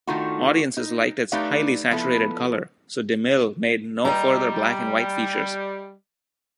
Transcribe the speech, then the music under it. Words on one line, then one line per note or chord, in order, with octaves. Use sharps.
Audiences liked its highly saturated color, so DeMille made no further black-and-white features.
D#3 A3 D4 D#4 F4 F#4
D#4
A3 D#4 G4 B4 D5 F5
F3 B3 E4 A4
G3 D#5 A#5